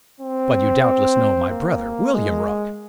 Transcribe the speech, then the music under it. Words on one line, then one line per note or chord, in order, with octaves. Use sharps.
But you doubtless know my brother, William Rugg.
C4
A#3
G#3